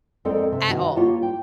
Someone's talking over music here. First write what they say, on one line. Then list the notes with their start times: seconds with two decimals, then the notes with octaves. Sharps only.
at all.
0.25 F2 G#3 C4 A4 A#4 D5
0.52 C3
0.68 D#3 F#4 B4
0.96 A#3 F4 G4 C#5 F5 A5
1.22 G5